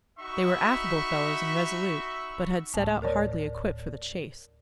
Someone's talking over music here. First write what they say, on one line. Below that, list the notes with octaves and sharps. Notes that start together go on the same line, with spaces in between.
They were affable fellows and resolute, but had set out hardly equipped for the chase.
D#4 F#4 E5 B5 C#6
D2 A2 G#5 A5
A#4 C#5 D5